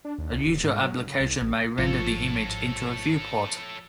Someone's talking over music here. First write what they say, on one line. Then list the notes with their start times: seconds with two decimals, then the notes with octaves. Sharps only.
A user application may render the image into a viewport.
0.05 D4
0.18 D#2
0.32 C2
0.47 D1
0.64 G#2
0.82 F#3
0.94 G2
1.07 C#3
1.21 C2
1.42 A1
1.78 G#1 F3 A4 C#5